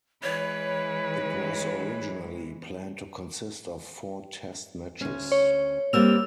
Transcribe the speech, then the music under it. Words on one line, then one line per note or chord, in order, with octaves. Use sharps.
It was originally planned to consist of four Test matches.
E3 G#3 B4 C#5
D2 C#4
C#5
G3 A#3 C4 E6 F7